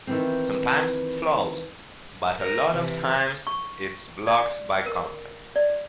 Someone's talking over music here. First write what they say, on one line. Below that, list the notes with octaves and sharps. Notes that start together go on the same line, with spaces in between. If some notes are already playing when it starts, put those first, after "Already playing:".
Sometimes it flows, but a lot of times it's blocked by concept.
D#3 E3 C4
A#4
C3 E3
C#6
D5
A#4
D5